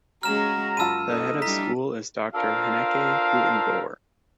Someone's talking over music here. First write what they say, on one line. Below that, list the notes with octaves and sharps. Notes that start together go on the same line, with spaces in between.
The Head of School is Doctor Hanneke Grootenboer.
C#3 G#3 C#4 F#4 G#4 A#5 F6 E7
F#2 F4 A5 B5 E6 D#7
A#3 C#4 D#4 A4 D#5
G3 D4 E4 A#5 B6
D4 F4 A4 A#4 C5 F5